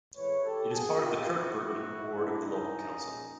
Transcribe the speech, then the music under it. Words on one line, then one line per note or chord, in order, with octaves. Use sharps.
It is part of the Kirkburton ward of the local council.
A2 E3 G#3 B4 C#5
G4 A4
F#2 D#3 F#3 F#4 G#4
F4 G4
F2 C#3 F#3 E4 F#4
E4 F#4
A#2 F3 G#3
D4 E4
F#2 C#3 E3 C#4 D#4
A#2 F3 G#3